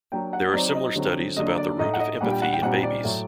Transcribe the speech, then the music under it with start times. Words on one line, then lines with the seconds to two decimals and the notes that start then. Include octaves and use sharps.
There are similar studies about the root of empathy in babies.
0.12 F#3 A#3 D4 G5
0.33 F#5
0.53 F#3 C4 D#4 D5
0.75 D#5
0.95 D3 F#3 C4
1.37 D3 F#3 A#3 D4 D#5
1.58 D5
1.78 A2 A3 D#4 D#5
1.94 F#5
2.00 D#5
2.21 A#2 G3 D4 F#5
2.31 G5
2.42 F#5
2.53 G5
2.62 A#2 G3 C4 D#4 F#5
2.83 D5
3.04 A2 F#3 A3